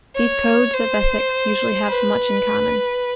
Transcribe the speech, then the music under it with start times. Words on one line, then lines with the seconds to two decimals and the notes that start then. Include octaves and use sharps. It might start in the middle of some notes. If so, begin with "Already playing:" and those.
These codes of ethics usually have much in common.
0.16 C#5
0.73 C5
1.89 B4